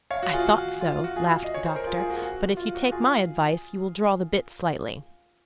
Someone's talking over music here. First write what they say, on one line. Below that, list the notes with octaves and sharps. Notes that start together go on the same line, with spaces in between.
"I thought so," laughed the doctor; "but if you take my advice, you will draw the bit slightly."
C#5 F5
F#4
F4 G#4
F#4
F4
F4
F#4
F4 G#4
D#5
C#5
C5
A#4
F4 G#4
F4 G#4
F#4 A#4
G#4
F#4
F4
F#4
F4 G#4